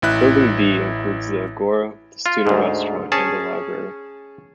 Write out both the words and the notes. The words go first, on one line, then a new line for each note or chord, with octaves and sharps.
Building D includes the agora, the student restaurant and the library.
A1 E4 F#6
F4
D2 G#2
C#4 G#4 A5